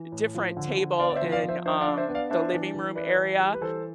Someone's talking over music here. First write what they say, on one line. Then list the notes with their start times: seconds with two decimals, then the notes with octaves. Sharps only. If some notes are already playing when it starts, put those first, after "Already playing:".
different table in, um, the living room area,
Already playing: E3
0.12 A2
0.34 F3
0.57 D3
0.77 D3
1.00 B3 D5 F5
1.10 D5
1.16 C5 E5
1.22 F3
1.32 D5 F5
1.43 F3
1.48 C5 E5
1.66 D4 C5 E5
1.81 D5 F5
1.88 D4
1.97 C5 E5
2.08 B3
2.14 D5 F5
2.30 D4 C5 E5
2.53 E3
2.75 E3
2.95 E4 B4 D5
3.17 E3
3.39 G3
3.54 B4
3.61 E3 A4 C5